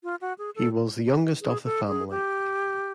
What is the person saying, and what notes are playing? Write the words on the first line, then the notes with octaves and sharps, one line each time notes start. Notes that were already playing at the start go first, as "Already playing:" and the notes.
He was the youngest of the family.
F4
F#4
G#4
A4
G#4
A4
G#4
G4